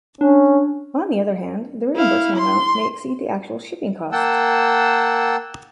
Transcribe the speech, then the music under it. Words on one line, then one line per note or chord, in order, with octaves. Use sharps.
On the other hand, the reimbursement amount may exceed the actual shipping costs.
C#4 D4
E4 F5
C6
A#3 F#5 G5 A5 E6